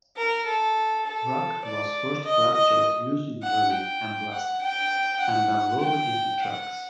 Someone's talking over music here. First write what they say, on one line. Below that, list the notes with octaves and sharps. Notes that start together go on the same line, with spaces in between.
Rock was first fractured using drilling and blasting, and then loaded into trucks.
A#4
A4
A4
D5
D#5
D#5
F#5
G5
F#5
G5
F#5
G5
F#5